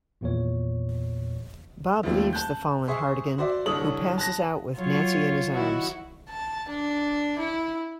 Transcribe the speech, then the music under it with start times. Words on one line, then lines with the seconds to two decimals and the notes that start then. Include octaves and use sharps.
Bob leaves the fallen Hartigan, who passes out with Nancy in his arms.
0.21 G#1 E2 A#2 E3 C#5
2.03 D#2 F3 G3 A3 C4
2.33 A5 F#6 G6
2.88 G#4 C5 E5 C#6
3.38 F#4 C5 D5 E5
3.66 C2 D3 A4 C#5 D#6 F#7
4.18 A5 F#6 A#6
4.76 F#3 F4 C#5
5.51 D#3 E4 F#4
6.29 A5
6.69 D4
7.39 E4